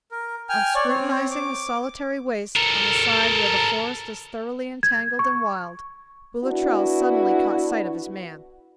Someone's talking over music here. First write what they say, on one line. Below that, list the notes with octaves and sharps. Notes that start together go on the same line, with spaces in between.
On scrutinizing the solitary waste on the side where the forest is thoroughly entangled and wild, Boulatruelle suddenly caught sight of his man.
A#4
G5 G#5 F6
C#5 D5
C4 C#5
D6
A4 A#4
G#6
C#6
B3 D4 E4 F#4